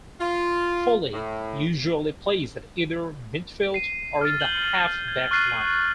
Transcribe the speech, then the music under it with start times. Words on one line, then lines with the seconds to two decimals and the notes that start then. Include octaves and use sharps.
Foley usually plays at either midfield or in the half-back line.
0.20 F4
1.13 A2
3.74 C7 D#7
4.21 F6 A6
4.40 G6 F#7 G7
5.08 G#6
5.31 C#6 F6 F#6 A6 C7 D#7